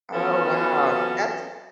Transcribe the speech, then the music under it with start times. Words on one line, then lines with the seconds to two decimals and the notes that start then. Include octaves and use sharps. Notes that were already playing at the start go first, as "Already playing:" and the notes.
Oh, wow. That's
0.13 E3 F#3 B3 C#4 F4 A4